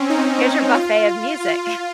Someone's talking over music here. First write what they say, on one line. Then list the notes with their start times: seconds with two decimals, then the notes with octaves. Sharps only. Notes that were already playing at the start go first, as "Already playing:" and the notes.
here's your buffet of music.
Already playing: C4 C#4
0.10 D#4
0.75 F4
1.40 F4